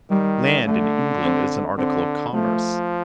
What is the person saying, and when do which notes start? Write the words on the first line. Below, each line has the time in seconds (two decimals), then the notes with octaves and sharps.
Land, in England, is an article of commerce.
0.10 D#3 G3
0.65 D3 A3
1.21 C4
1.77 D3 C4
2.33 F3 A3